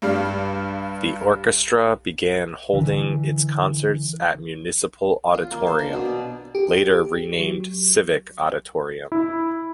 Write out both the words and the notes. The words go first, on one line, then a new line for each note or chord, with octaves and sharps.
The orchestra began holding its concerts at Municipal Auditorium, later renamed Civic Auditorium.
G2 G3 D5 F5
D3 E3
F4
A#3
C5
D4
B2
D5
G4
F#3
E4